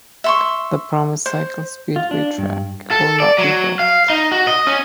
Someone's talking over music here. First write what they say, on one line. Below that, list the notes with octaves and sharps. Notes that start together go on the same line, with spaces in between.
The promised cycle speedway track will not be built.
E5 C6 C#6
C5
F4
D4
G2
A4
D5
F#3
F5
D#4
F#4
D#5
C#4